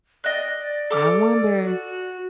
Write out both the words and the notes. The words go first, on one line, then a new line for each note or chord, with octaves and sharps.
I wonder.
D5 D#5 F#6
A4 D6 F6
F#4